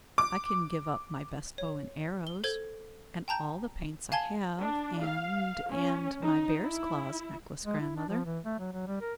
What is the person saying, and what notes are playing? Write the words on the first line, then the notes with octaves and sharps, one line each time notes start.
"I can give up my best bow and arrows, and all the paints I have, and--and my bear's claws necklace, grandmother!"
D6
C#5
G7
A4 C5 G#6 G7
G5 A5 A#5 G6
F5 G#5 A5 G#6 G7
D4
F5
C#4
D#4
E4
G#3
E4
D4
F3
E3
A3
F#3
F#3
G3
A#4